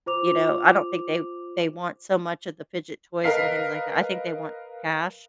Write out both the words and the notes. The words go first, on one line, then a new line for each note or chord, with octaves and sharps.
you know, I don't think they they want so much of the fidget toys and things like that. I think they want cash.
F4 C5 D6 F7
A#4 B4 D#5 F5 B6 C7